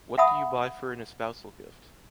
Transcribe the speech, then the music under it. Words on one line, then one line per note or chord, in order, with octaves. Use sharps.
What do you buy for an espousal gift?
E5 F#5 A5 B5 D#6